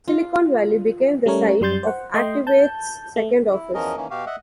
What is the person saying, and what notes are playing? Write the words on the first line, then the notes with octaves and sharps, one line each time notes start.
Silicon Valley became the site of Activate's second office.
F4
G3 A3 C#4 A#4 C#5
F#2 G3 C6 G6 A6
C5 F#5
A3 D#5 G5 C6
A5 G6
A3
E4
E2 F3 C#4 A#4 D#5
D#3 E3 A#3 C#4
B2 F#4 G4 F5
D#5 E5 F#5